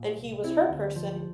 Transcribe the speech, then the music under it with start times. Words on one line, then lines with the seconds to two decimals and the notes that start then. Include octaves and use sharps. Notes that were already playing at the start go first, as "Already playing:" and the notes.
and he was her person.
Already playing: A#2
0.18 C2
0.44 C4 E4
0.70 D2
0.96 F3